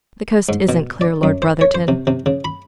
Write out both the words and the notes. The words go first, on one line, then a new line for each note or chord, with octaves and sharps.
"The coast isn't clear, Lord Brotherton."
G#2
B2
D5
F#2
C5
C#5
C5
C3
C3
C#3
B5